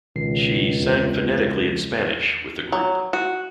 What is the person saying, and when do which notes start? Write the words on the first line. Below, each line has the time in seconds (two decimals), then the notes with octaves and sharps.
She "sang phonetically in Spanish" with the group.
0.16 C#2 B2 D#3 C7
0.81 E2
2.72 F#3
3.13 F#4